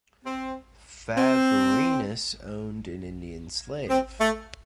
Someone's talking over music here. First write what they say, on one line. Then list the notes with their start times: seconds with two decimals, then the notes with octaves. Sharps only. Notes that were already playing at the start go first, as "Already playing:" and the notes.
Favorinus owned an Indian slave.
0.25 C4
1.17 C4
3.89 C4
4.20 A3